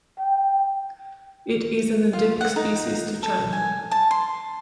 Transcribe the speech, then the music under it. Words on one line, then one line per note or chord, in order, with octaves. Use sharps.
It is an endemic species to China.
G5
F4
F#5
D#4
A4
G#5
A5
C6